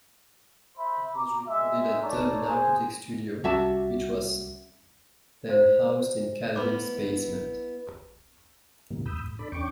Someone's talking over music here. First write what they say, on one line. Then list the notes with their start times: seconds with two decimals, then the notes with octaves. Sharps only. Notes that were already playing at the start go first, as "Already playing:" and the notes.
It was recorded at Dub Narcotic Studio, which was then housed in Calvin's basement.
0.77 C5 E5 B5
1.14 A#5 D6
1.47 G#3 D#5 E5
2.02 D#4 A4 C#5 D5
2.46 G#4 C5
3.44 C2 G3 C#4 F#4 E5 A5 D6
5.49 C5 F5
6.56 B3 E4 B4 B5 D6
8.90 A2 C#3 E3 G3 A#3
9.06 E2 G#2 B5 D#6 E6 G6
9.26 A2
9.39 D4 A4 D5 B5
9.52 E2 C#4 D4 G5 C#6 D6